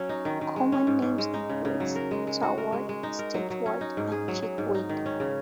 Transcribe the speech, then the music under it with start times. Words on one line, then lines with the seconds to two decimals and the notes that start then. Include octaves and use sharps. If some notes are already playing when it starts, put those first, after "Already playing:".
Common names include starwort, stitchwort and chickweed.
Already playing: F#3 C#4
0.09 D#4
0.25 D#3
0.41 D#3
0.56 G#3
0.72 C#4
0.87 G#2
1.02 G#2
1.18 G#3
1.34 D#4
1.50 C#3
1.65 C#3
1.80 F#3
1.96 A#4
2.11 G#3
2.27 G#3
2.43 F#4
2.58 A#4
2.72 G#3
2.89 G#3
3.03 D#4
3.19 A#4
3.34 F#3
3.50 F#3
3.66 C#4
3.81 D#4
3.97 G#2
4.12 G#4
4.28 F#3
4.43 F#3
4.58 G#2
4.75 D#4
4.89 D#3
5.06 C#4
5.20 C#3